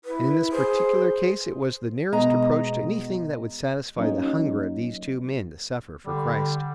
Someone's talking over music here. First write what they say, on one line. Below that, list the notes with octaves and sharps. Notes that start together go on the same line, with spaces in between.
And in this particular case it was the nearest approach to anything that would satisfy the hunger of these two men to suffer for Christ.
E4 B4
G#4 C5
B2 G#3 D#5 A#5
F#3 A#3 C#4 D#4
D3 G3